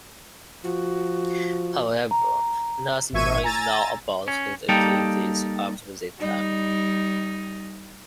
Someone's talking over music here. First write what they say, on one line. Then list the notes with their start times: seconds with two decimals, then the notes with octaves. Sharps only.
However, nothing more is known about his activities after this time.
0.64 F3 F#4
2.11 A#5
3.13 G#1 A#2 E5 C#6 G#6 D#7
3.43 G#5 A#5 E6 A6
4.28 C#4
4.69 G3 A#3 D#4 G4 A4
6.18 G3 D#4